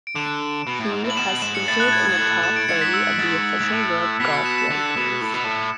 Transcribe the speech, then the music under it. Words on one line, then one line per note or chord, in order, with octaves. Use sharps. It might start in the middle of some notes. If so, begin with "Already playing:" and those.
He has featured in the top thirty of the Official World Golf Rankings.
D7
D3 E7
B2
A2
G#2
A2
F#7
B2 E7
F#7
G#2 E7
C#7
A2 A6
F#6
A6
G#6
G#6
G#2
A2 G#6
E7
D7
G#2 C#7
B6
E6
F#6
G#2 A6
G#2
A2
B2 B6
C#7
E7
E7
D3
B2
A2
B2
A2